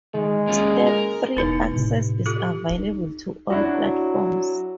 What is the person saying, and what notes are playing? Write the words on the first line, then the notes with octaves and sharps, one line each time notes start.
Step-free access is available to all platforms.
D#3 G#3
A#3 C#4 F4
A#4
E1 B3 D#4 E4 B4
A2 C3
F4 G4 A4
D#4
F#3 D4 E4 F#4